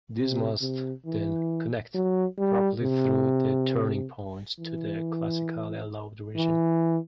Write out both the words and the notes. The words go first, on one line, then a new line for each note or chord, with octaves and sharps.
These must then "connect" properly through the turning points to the classically allowed region.
C3
C3
E3
F#3
G3
C3
E3
E3